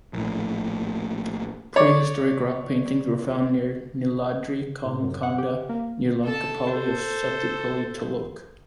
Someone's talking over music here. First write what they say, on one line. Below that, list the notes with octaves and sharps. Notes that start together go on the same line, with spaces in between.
Prehistoric rock paintings were found near Neeladri konda near Lankapalli of Sathupally Taluk.
A#1 A2
C#5 D5
A2
F#2
F#5
G4
A#3
A4 A5
A4 C5